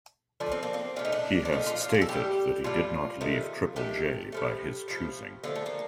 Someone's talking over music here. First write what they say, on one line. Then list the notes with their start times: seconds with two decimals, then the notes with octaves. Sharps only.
He has stated that he did not leave Triple J by his choosing.
0.40 D3 F3 A3 D4
0.52 C4
0.63 A#3
0.74 C4
0.96 A#2 F3 A3 D4
1.05 D#4
1.12 D4
1.45 D4
1.52 A#2 F3 A3 D#4
1.66 F4
1.81 F4
1.94 G4
2.01 A4
2.09 A2 G3 G4
2.64 A2 G3 F4
3.21 C3 D#3 A3
3.76 C3 D#3 A3 G4
4.32 A2 F3 A3
4.88 A2 F3 A3
5.44 D3 F3 A3 A#3
5.56 A3
5.66 A#3